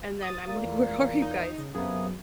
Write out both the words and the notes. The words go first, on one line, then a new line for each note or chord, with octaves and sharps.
and then I'm like, "Where are you guys?"
D#6 A6
A#2 A#3
E2
D#4
C#3
F#2 C3 A#3 B3 G#4 D#6